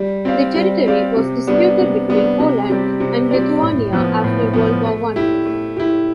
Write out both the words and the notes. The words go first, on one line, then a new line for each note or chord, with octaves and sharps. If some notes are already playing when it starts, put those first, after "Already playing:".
The territory was disputed between Poland and Lithuania after World War One.
Already playing: G3
C4 G4 D5 F5
G3
C4 G4 D5 F5
C3
G3 B3 D4
C3
G3 B3 D4
C3
G3 C4 G4 D5
C3
G3 C4 G4 D5
A2
F3 B3
A2
F3 B3
A3
E4 G4
A3
E4 G4